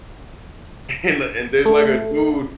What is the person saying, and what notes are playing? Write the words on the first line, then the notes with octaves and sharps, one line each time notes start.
and and there's, like, a dude
A3